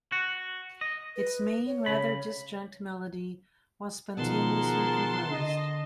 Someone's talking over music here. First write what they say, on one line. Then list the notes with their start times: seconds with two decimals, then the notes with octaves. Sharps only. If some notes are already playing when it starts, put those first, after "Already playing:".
Its main, rather disjunct melody was spontaneously composed.
0.12 F#4
0.81 D#5
1.16 B4
1.67 C#5
1.86 C#3 B5
4.17 B2 D#3 F3 G#4 A#4 F#5 A5 C6
5.31 D3 D#5